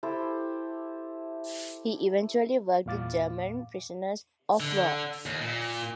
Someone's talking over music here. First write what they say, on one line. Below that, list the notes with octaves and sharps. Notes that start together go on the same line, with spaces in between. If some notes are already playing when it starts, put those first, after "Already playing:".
He eventually worked with German prisoners of war.
E4 G4 A4 C5
E2 A#2 F5 D6 A6
D3
D#2
A#2